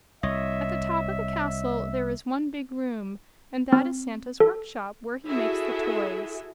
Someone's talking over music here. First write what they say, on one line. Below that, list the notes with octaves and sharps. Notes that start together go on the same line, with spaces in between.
At the top of the castle there is one big room, and that is Santa's work-shop, where he makes the toys.
C2 C#5 D#5 E5
C4
A4
E4 F#4 G#4 A4 E5